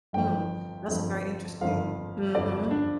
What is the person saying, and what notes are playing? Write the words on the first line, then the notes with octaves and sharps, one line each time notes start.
Hmm, that's a very interesting mhm.
G1 F2 F3 G5
G1 F2 F3
G1 F2 F3 F5
G1 F2 F3 D5
D4